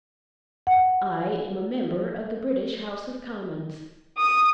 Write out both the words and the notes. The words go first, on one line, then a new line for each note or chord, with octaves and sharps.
I am a Member of the British House of Commons!
F#5
D#6